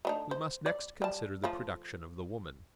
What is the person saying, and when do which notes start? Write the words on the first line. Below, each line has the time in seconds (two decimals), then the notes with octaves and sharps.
We must next consider the production of the woman.
0.05 A3 D4 D#4
0.31 C5
0.66 D5
1.02 G3 A5
1.44 F3 A3 F4